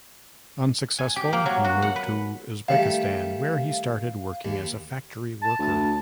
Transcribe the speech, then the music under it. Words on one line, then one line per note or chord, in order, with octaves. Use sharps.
Unsuccessful, he moved to Uzbekistan, where he started working as a factory worker.
G#5
G4
A#3
F#3
F#4
F#5
B4
D#3 G3 A3 F5
D#2
A5
D2